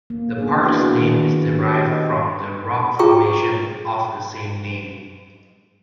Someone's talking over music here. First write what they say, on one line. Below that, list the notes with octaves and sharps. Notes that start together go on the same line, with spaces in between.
The park's name is derived from the rock formation of the same name.
A#3
B3 D4 G#4
D4 E4 F#4 B4
D#3
F#4 G4
G4 C5 D#5
F4 G#4 G5 A#5 C#6